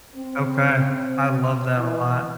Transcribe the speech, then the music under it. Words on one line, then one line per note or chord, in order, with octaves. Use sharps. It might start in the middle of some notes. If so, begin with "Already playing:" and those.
Okay. I love that a lot.
C4
E3